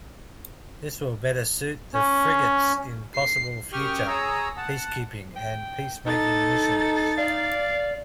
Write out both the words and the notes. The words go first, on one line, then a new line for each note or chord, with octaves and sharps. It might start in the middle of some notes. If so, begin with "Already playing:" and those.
This will better suit the frigates in possible future peacekeeping and peacemaking missions.
C#4
C7
F#2 G4 G5 C#6 D#6 F6
G#4 C#5 A#5 D#6 E6
F#5 A5
G5
D#4 A4 A6
D5 F5